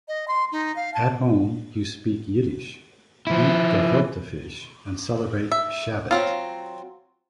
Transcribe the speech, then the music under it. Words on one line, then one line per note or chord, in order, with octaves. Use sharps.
At home, you speak Yiddish, eat gefilte fish, and celebrate Shabbat.
D#5
C6
D#4
F5
A5
F3 E4
E5
F#3 C4 F4